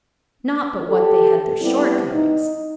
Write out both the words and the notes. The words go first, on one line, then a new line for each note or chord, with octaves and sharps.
Not but what they had their shortcomings.
G4 A4
G3 B3 C4 E4
D#4